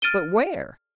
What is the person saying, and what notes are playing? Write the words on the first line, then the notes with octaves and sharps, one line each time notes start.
But where?
F6 A6 D7 D#7 G7